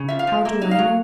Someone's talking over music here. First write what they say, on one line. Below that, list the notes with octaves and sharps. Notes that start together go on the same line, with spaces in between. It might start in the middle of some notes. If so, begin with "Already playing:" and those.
How do I know?
Already playing: C#3
F3 E5
F5
F3
A#3 E5
D#4
F5
F#3